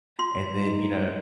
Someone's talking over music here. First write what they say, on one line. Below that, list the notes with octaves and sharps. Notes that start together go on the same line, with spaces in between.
and then, you know, uh,
F4 C6
D#4